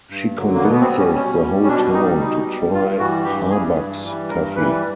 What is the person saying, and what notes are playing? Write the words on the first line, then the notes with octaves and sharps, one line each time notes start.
She convinces the whole town to try Harbucks Coffee.
G2
D3 F#3
A#3
B2 B3
B3
C4
G3
C#4
B2 C#4
G3
C#4
B2 D4
G3 D#4
B2 D#4
G3
G2 F4
E3 G3 F#4
G2 G4
E3 G3 G#4
G2
E3 G3
G2 A#4
E3 G3 B4